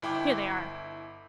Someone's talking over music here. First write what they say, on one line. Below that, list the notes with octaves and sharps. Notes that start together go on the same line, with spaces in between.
Here they are!'
G1 E4 G5 D6